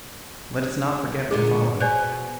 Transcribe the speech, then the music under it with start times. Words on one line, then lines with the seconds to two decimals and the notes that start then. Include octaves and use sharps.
Let us not forget what followed.
1.31 A#2 D3 G#3 G#4
1.80 B2 C5 D5 G#5